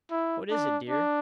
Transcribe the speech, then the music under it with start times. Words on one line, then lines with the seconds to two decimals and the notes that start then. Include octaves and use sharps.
"What is it, dear?"
0.11 E4
0.50 D4
0.90 D4